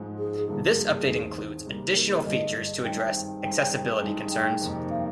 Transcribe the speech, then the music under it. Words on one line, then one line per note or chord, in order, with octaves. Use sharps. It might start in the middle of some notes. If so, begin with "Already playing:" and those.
This update includes additional features to address accessibility concerns.
Already playing: G#2 F3 G#3
G#4
G2 D3 G3 A#3
G#4
D#2 D#3 G#3 C4
C3 D#3 G3 A#3
A#4
G#4
G2 D3 G#3 D#5
G2 D#3 G#3 C4 G5
G2 D#3 G#3 C4 D#4 G5
G2 D#3 G#3 D#4
G5
F2 C3 D#3 A#3
F5